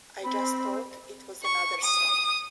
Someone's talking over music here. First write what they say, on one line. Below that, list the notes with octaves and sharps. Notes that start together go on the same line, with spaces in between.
I just thought it was another song.
C4 B5
C#6
D#6